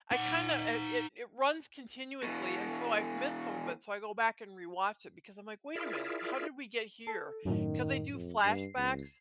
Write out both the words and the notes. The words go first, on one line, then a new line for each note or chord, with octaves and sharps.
I kinda a it it runs continuously and so I've missed some of it, so I go back and rewatch it because I'm like, "Wait a minute. How did we get here?" 'Cause they do flashbacks
D#4 F#5
B2 E3
E4 F4 G#4 A#4 D5 E5
A4
F#2 A2 D#3
F2
G2 C7
C#2